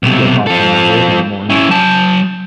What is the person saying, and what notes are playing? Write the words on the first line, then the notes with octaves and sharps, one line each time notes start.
that pops into my head in the morning.
B1 C3
F3 A4
C#4 E4
F#3 A5